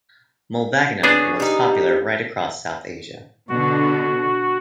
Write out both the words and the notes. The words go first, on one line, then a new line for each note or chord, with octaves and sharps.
Mylvaganam was popular right across South Asia.
B3 C#4 D4 G#4
G3 D#4
B2 D3 F#4